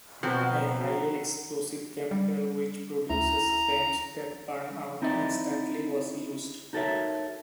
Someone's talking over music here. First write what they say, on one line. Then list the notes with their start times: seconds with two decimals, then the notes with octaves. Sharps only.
A highly explosive chemical which produces flames that burn out instantly was used.
0.23 B2 F3 F#3 C4 F#4 B5
2.11 G3
3.10 D2 E4 A#5
5.02 C4 D#4 E4 D5 D#5
6.73 D#4 F#4 A4 A#4 C#5 E5